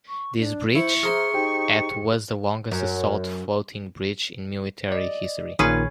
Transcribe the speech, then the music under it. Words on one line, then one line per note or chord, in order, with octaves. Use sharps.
This bridge, at was the longest assault floating bridge in military history.
C#6
D4
E4 C5 C#6
G#4 C5 E5 A#5 C6 F6
D#4 G4 C5 G5
F#2
D5 D#5
A#1 A#2 D#3 C#4 G#4 B4